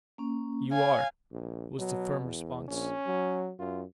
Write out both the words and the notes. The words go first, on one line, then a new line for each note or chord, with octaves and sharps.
"You are," was the firm response.
A#3 C#4
C#5 F5 G#5
A#1
B2 F#3
E2
A#1 C#4
F#3
F#2 F4